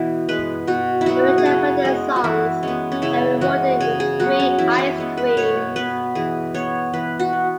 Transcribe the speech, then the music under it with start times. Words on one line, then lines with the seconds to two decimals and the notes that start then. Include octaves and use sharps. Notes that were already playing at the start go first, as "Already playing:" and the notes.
In return for their songs, they are rewarded with free ice creams.
Already playing: B2 E3 B3 E4 F#4
0.28 G#3 B3 B4
0.67 B2 F#4
1.01 E4
1.06 F#3 B3 F#4
1.38 G#4
1.45 C#3 F#4
1.85 G#3 B3 G#4
2.16 F#4
2.24 E3 E4
2.63 G#3 B3 C#4
2.92 C#4
3.02 C#3 E4
3.41 E3 G#3 B3 F#4
3.80 C#3 G#4
4.00 G#4
4.19 F#3 B3 F#4
4.40 C#4
4.58 E3 E4
4.78 E4
4.98 G#3 B3
5.17 B4
5.37 B2 C#5
5.76 B3 B4
6.15 E3 G#4
6.54 B3 C#5
6.93 E3 B4
7.20 F#4
7.33 B3